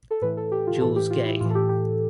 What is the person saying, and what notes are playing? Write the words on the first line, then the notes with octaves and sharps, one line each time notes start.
Jules Gay.
A4
A2 E3 B4
A4
G4
F4
A2 E3 A4
G4
F4
E4
A2 E3 F4
A4
G4
G4